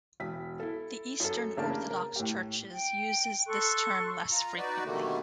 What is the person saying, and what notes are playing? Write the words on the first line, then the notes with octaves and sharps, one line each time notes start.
The Eastern Orthodox Churches uses this term less frequently.
E1 B6
E4 A4
F#2 A4
A1 C#3 A#3 D4 E4 A5
A#4
A2 G4
G5
A4 C6 C#6 F#6
F4 A#5
D#4 F#4 B4 D5
B2 D3 D#3 G3 A3 A#3